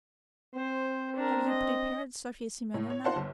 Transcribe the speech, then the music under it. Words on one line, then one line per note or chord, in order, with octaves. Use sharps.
"Have you prepared Sofya Semyonovna?"
C4 C5
D4 A#4
D#5
A2
C#5
D#4 F4 C5 F#5 A5
G1